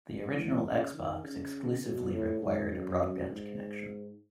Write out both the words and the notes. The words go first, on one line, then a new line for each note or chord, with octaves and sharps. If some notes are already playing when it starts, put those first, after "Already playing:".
The original Xbox exclusively required a broadband connection.
E3
C#3
D#3
C#3
B2
A2
G#2
F#2
F#2
G#2